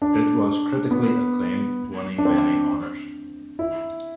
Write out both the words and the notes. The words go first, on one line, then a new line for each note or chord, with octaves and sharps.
It was critically acclaimed, winning many honors.
D4
B3
D4
C4
E4